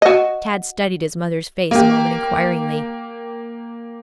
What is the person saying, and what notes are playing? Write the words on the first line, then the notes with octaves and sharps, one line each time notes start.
Tad studied his mother's face a moment inquiringly.
F#4 D#5
A#3 G4